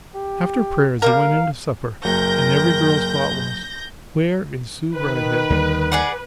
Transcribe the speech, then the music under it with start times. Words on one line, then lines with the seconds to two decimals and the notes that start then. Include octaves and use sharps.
After prayers they went in to supper, and every girl's thought was, Where is Sue Bridehead?
0.16 G4
1.02 G3 A#3 A#4 F5
2.05 F#1 F#3 A#4 G5 G6 A#6
4.94 D#3 B4
5.50 D#2 D3 G3
5.92 G#4 D5 F#5